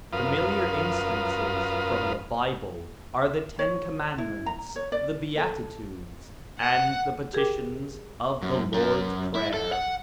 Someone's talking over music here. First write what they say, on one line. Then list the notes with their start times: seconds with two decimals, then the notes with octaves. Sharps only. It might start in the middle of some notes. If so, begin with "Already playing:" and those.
Familiar instances from the Bible are the Ten Commandments, the Beatitudes, and the petitions of the Lord's Prayer.
0.13 F#2 F4 A#4 B4 F5 D#6
3.59 C#5
4.18 E4
4.46 A#5
4.76 C#5
4.92 D5
5.38 A4
6.59 F#5
7.33 G4 G#4 A#4 G5 D6
8.42 F#2
8.74 F#2 A#4
9.35 E4
9.54 A4
9.72 F#5